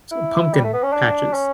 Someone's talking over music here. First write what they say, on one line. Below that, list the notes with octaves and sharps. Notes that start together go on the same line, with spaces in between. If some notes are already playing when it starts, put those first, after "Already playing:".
s pumpkin patches.
E4
G3
A3
B3
C#4
D4
C#4